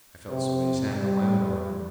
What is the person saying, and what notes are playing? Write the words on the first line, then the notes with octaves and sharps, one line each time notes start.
I felt somebody's hand on my own arm.
C3
G3